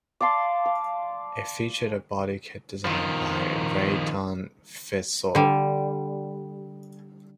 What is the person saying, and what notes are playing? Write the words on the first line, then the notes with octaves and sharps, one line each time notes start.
It featured a body kit designed by Rayton Fissore.
D5 F5 A5 C6
F5
D#3 F3
D3 G3